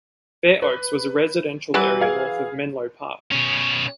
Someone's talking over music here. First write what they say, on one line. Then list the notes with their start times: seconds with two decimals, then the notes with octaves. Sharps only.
Fair Oaks was a residential area north of Menlo Park.
0.62 B4
1.74 E3 F#3 G3 B4
2.01 G#4 F5 G#6
3.32 B2 C#4